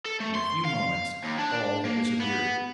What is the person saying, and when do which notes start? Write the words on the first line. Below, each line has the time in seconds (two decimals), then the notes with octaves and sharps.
In a few moments, all had disappeared.
0.05 A4
0.20 A3
0.35 C6
0.65 F5
1.24 D#2
1.39 D4
1.85 A#3
2.20 B3